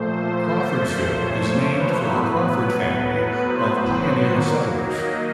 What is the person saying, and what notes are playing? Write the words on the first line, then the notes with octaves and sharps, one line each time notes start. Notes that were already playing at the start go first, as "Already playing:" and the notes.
Crawfordsville is named for the Crawford family of pioneer settlers.
Already playing: A#2 F3 A3 C5
C#5
C5
B4
A2 F#3 B3
B4
C5
C5
C#5
D#3 F#3 A#3
D#5